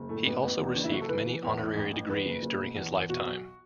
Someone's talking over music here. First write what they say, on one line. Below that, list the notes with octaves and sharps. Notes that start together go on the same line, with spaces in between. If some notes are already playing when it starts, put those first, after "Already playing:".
He also received many honorary degrees during his lifetime.
Already playing: F#1
A2 A3
A1 B3
A1 B3
E2
F#1 D4
E4
F#1 F#4
A4
E3 B4
E3
E2
A2
A1
A1
E2 B4
F#1
F#1
B2
E2
E2
B2 F#4
B1